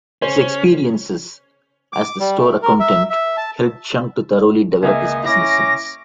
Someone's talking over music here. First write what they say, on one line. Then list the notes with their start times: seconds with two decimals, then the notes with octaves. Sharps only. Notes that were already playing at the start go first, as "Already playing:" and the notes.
His experiences as the store accountant helped Chung to thoroughly develop his business sense.
0.22 C#3 C#4 C5
1.93 D6
2.20 G3
2.39 A3
2.62 A#4
2.80 E5
3.10 E5
3.37 A5
4.82 C#2 A#3 D#5 E5 G#5
5.25 C#4 E4 D6 A#6